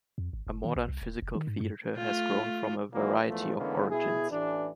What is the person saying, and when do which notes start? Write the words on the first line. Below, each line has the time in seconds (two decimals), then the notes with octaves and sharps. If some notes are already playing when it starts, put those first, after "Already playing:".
A modern physical theater has grown from a variety of origins.
0.18 F2
0.33 G#1
0.47 F#1
0.64 D#3
0.76 A1
0.89 C2
1.02 D#1
1.22 F1
1.35 D#3
1.47 G#2
1.60 G2
1.97 A3 F4
2.94 D#3 E3 F#3 G#3 A#3 D4
3.28 E2 G#2 F3 A3
3.57 D3 E3 G#3 A#3 B3 C#4
3.90 B2 E4 G#4
4.31 A1 E3 D4